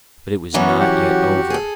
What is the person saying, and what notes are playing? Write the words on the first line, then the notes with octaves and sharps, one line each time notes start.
But it was not yet over.
E3 F#3 B3 C#4 F#4
F#4 G4 F#5
G#4 A4